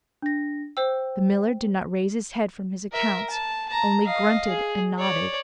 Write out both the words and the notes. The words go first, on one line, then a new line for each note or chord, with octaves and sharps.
The miller did not raise his head from his accounts; only grunted and nodded.
D4 A#6
C5 G5 E6
A#4 E5
A5
A5 A#5
D#5 F5
G#4
C#5 D5